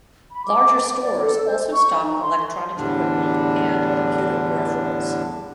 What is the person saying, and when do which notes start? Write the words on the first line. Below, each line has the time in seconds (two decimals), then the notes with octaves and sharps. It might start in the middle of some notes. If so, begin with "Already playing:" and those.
Larger stores also stock electronic equipment and computer peripherals.
0.31 B5
0.46 D6
1.02 D5
1.20 A4
1.45 C5
1.72 C#6
2.00 D#4
2.22 C6
2.77 E2 A2 D3 G3 D4